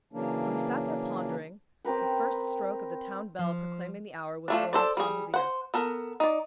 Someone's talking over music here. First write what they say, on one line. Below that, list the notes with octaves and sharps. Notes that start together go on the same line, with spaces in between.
While he sat there pondering, the first stroke of the town bell proclaiming the hour was borne upon his ear.
C#3 E3 F#3 A#3 D4
C4 G4 A#4 B4
F3
F3 A3 D4
A4 C5 D5
G3 G#4
C5 F#5
B3 A4 A#4
D#4 D5